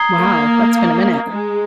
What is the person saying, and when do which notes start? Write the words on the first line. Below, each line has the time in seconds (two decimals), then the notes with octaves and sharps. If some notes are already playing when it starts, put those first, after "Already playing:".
Wow, that's been a minute.
Already playing: A#5 D#6 G#6 C7 G7
0.19 A#3
1.31 G#3